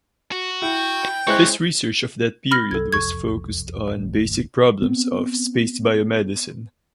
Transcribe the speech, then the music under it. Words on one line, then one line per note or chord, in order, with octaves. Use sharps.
His research of that period was focused on basic problems of space biomedicine.
F#4
E4 G5
G#3 C4 C#4 E4 C5 C#6 F#6
B5 F6 A#6
C2 A4 G#6
E1 C2 F2 C#6 G#6
F#1 D#2 A2
B3 C4